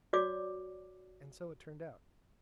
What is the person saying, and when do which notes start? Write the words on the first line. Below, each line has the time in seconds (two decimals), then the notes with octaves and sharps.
And so it turned out.
0.13 F#4 C#5 D5 D6